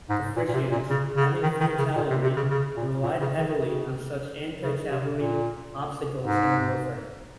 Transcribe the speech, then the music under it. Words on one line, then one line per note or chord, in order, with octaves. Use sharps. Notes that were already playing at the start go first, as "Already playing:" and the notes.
The Frisians, having few cavalry, relied heavily on such anti-cavalry obstacles in warfare.
G#2
A#2
A#2
C3
A#2
C#3
C#3
D#3
D#3
C#3
A#2
C3
C3
C#3
C#3
A#2
A#2
C#3
D#3
C#3
C#3
C3
A#2
G#2